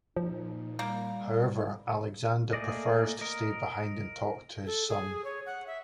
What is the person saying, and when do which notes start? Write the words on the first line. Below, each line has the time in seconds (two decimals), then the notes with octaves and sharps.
However, Alexander prefers to stay behind and talk to his son.
0.16 A#2 F3 D#4
0.79 G3 A#3
2.53 A3 A#3 G#4 D5 D#5
3.21 A#4 D#5
4.66 A4
4.89 G#4
5.24 C#5
5.46 F#5
5.67 E5